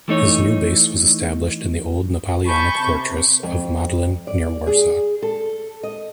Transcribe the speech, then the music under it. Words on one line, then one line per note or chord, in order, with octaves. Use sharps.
His new base was established in the old Napoleonic fortress of Modlin, near Warsaw.
E3 A3 D#4 C#5
G#5 A5 B5 C#6 G6
C3
F2
D5
G#4
A4
D#5